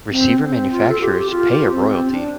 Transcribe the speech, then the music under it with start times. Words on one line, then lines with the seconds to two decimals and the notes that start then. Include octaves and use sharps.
Receiver manufacturers pay a royalty.
0.11 C4
0.40 C4
0.71 F4
0.89 A4
1.00 G4
1.31 F4
1.51 G4
1.70 C4
1.91 C4
2.11 D4